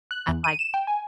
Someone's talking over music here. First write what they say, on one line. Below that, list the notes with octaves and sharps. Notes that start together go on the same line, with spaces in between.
I'm, like
F#6
E2
D#7
E7
G5
G#5